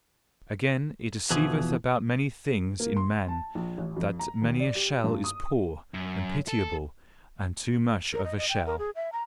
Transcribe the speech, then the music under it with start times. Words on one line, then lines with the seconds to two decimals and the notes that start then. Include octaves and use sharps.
Again, it deceiveth about many things in man, that many a shell is poor and pitiable, and too much of a shell.
1.31 E2 B2 E3 F3 G#4
2.80 A#3
2.97 C6
3.28 A5
3.55 A#1
3.78 A1
3.97 F2
4.19 A#5
4.42 D#2
4.60 D5
4.75 G4
5.04 G2
5.24 D#6
5.94 F#2
6.48 A4
8.13 A#4
8.24 D#5
8.38 D#5
8.49 G5
8.66 A#4
8.79 G#4
8.95 E5
9.13 A#5